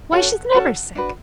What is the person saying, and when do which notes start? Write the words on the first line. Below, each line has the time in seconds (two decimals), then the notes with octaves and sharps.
Why, she's never sick!
0.12 C#4 F#4 A4 F#5
0.54 C#4 F#4 A4 F#5
0.95 D4 F#4 B4